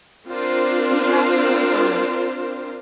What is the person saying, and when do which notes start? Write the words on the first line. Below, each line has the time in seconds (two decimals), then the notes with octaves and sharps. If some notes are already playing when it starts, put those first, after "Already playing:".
He had three daughters.
0.28 C4 D4 F4 A#4 C5